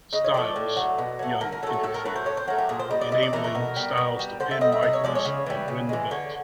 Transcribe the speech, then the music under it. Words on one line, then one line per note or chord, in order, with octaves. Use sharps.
Styles, Young interfered, enabling Styles to pin Michaels and win the belt.
C#3 D#5
C#5
F3 A3 D5
A2
F#3 A3
B2
F#3 A3
D3 A#4
A#4
F#3 A3 A4
A4
A2 A4
A#4
F#3 A3 B4
C5
A2 C#5
C5
F#3 A3 A#4
G4
A#2 G#4
C5
G3 D#5
D5
C3 D#5
D5
E3 A3 A#4
A#4
B2
G3
B2
G3
D3 C5
E5
G3 D#5
E5
C3 D#5
C#5
F3 G#3 D5
C#5
C#3
E3 G3
C#3
E3 G#3
D3 C#5